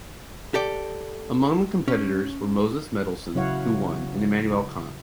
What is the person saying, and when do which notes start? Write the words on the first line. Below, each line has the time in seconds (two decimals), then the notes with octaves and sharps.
Among the competitors were Moses Mendelssohn, who won, and Immanuel Kant.
0.54 G4 A4 D5
1.88 C#4
3.35 C#3 F#3 E4 C#5 F5 F#5